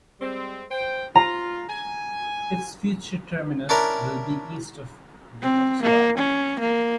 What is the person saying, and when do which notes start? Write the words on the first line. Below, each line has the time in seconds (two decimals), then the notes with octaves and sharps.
Its future terminus will be east of Lennoxville.
0.21 G3 G#3 C4
0.70 C5 G5
1.15 F4 A#5
1.69 G#5
3.69 C#4 D4 E4 A#4
5.42 C4
5.82 A#3
6.17 C#4
6.59 A#3